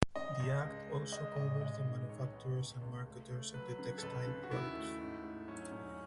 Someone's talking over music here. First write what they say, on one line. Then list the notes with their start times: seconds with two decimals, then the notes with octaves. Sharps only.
The act also covers the manufacturers and marketers of the textile products.
0.16 C#3 D#5
0.40 C#2
0.64 G#3
0.88 G#3
1.12 G#3 D#5
1.36 A1 D#5
1.61 G#3 D#5
1.85 D#3
2.09 B1 C#5
2.33 B3
2.57 C#2
2.82 C#2
3.06 A3
3.30 A3
3.54 F#3 B4
3.79 C#3
3.98 A4
4.03 C#2 B4
4.27 C#3
4.43 F#4
4.51 D#2 E4
4.75 A3
5.00 G#2
5.23 A3
5.47 F#3 C#4
5.71 E1 C#4